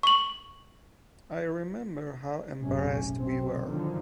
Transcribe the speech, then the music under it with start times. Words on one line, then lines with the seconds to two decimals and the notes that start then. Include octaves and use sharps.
I remember how embarrassed we were.
0.03 C#6 F#7
2.64 F#1 B1 A2 C3 C#4
3.13 B1 C3 C4
3.66 D3 D#3 F3 F#3